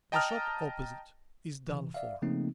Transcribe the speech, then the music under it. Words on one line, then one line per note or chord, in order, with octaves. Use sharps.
The shop opposite is done for.
D#5 G5 A5 A#5 D#6 F6
C3 E3
D5 E5 F5
C#3 F3 A3 A#3 C4 D#4